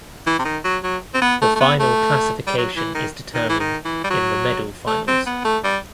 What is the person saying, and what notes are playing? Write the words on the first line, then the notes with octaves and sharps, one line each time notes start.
The final classification is determined in the medal finals.
E3
C3
D#3
F#3
F#3
C4
B3
A3
A3
B3
A3
G3
F#3
E3
D#3
D#3
E3
D#3
E3
G3
F#3
A3
C4
B3
A3
G3